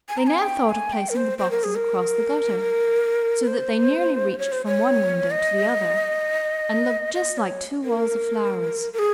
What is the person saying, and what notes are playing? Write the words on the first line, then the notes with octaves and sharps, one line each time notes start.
They now thought of placing the boxes across the gutter, so that they nearly reached from one window to the other, and looked just like two walls of flowers.
G#5
A#5
G#5
G5
G#5
G5
A#4
C5
C5
A#4
G#4
A#4
C5
C#5
C5
C#5
D#5
D#5
C#5
A#4
A#4
G#4